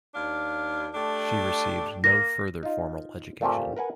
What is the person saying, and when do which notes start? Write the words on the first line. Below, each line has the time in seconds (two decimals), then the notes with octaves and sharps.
She received no further formal education.
0.14 D#2 D4 F5
0.95 A3 D4 G4
2.04 A#3 A#6
2.63 D#4 F4
3.41 A#2 A3 C4 F4 G4
3.77 A#4 B4 F#5 G#5